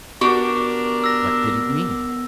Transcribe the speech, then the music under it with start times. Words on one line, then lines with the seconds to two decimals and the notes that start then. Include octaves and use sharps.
What did it mean?
0.21 B3 D4 F#4 G4 A#4
1.04 E6 A#6